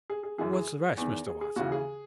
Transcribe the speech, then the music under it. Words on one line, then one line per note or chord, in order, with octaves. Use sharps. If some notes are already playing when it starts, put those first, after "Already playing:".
"What's the rest, Mr. Watson?"
G#4
G#4
F#2 E3 G#4
G#4
E2 D#3
G#4
G#4
D#2 C#3 E3 F#4
G#4